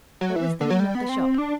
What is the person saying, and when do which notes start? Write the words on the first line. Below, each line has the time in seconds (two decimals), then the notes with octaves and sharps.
"What was the name of the shop?"
0.21 F#3
0.36 E3
0.61 D3
0.70 F#3
0.80 G3
0.95 B3
1.09 C4
1.38 D4